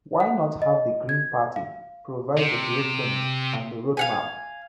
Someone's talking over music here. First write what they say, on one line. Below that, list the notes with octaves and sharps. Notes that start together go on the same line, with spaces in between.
Why not have the Green Party provide the blueprint and the road map?
F#5
D#5
G#6
F5
C3
F5 F#5 G#5